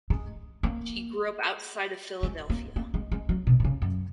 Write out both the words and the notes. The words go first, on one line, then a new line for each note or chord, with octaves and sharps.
She grew up outside of Philadelphia.
G#3
A#3
G#3
A#3
A#3
G#3
G#3
F#3
B2
B2
C#3
F#2